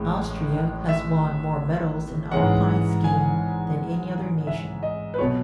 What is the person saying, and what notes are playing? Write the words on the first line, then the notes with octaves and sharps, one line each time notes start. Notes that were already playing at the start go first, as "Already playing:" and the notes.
Austria has won more medals in alpine skiing than any other nation.
Already playing: A1 A2 G#3 C#4
E5
G#2 E3 G#3 C#4 F#5
G#5
E5
D#5
B4
B2 F#3 C#5